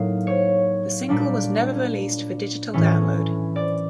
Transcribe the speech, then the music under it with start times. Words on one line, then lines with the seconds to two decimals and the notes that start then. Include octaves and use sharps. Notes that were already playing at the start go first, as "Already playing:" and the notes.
The single was never released for digital download.
Already playing: A2 F#3 A#3 D#4 F5
0.27 C#5
1.09 A#2 G3 A#3 D4
2.74 A2 E3 A3 C#4
3.56 D5